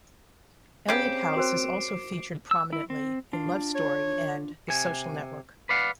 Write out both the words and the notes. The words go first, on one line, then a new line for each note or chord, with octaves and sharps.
Eliot House is also featured prominently in "Love Story" and "The Social Network".
C#3 C4 G4 D6 C7 D7
F#4 A#4 C5
E6
E4
C4
D4 F4
C#5
C3 G#5
B4 D5 F5 F#5